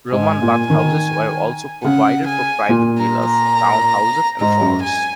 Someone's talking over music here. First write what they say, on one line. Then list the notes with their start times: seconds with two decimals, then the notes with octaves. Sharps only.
Roman bath-houses were also provided for private villas, town houses, and forts.
0.12 G#2 G#5
0.42 A#2
0.70 D#3
1.84 C#3 F#5
2.27 G#5
2.69 A#2
2.97 A#5
3.26 A#5
4.41 G#2 A#5
4.61 F#2
4.83 G#5